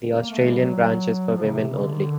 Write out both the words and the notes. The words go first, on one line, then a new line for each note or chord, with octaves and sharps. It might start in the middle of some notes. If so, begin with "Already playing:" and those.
The Australian branch is for women only.
A#3
A3
G#3
G3
F#3
F#3
F3
C#3
C3
C#3
D3
D#3
D3